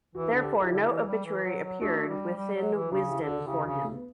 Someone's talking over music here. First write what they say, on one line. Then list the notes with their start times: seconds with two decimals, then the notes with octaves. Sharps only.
Therefore no obituary appeared within Wisden for him.
0.15 E3 F#4
0.23 E4
0.31 D4 F#4
0.33 D3
0.43 G4
0.53 A4
0.62 E4 G4
0.70 D3
0.89 E3
1.07 G3
1.25 E3
1.44 F#3
1.63 F#3
1.81 A3 D4 F#4
2.08 G3
2.36 G3
2.54 F#3
2.74 E3
2.91 C#3 D4 F#4
3.10 E4 G4
3.20 D3
3.28 F#4 A4
3.46 C#3 E4 G4
3.65 C#3 D4 F#4
3.85 A3
3.94 B3